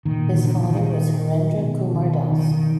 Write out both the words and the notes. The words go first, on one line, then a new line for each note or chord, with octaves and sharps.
His father was Harendra Kumar Das.
A#2 D#3
D#3
D3
D#3
E3
D#3
D#3
B2
D#3
D#3
D#3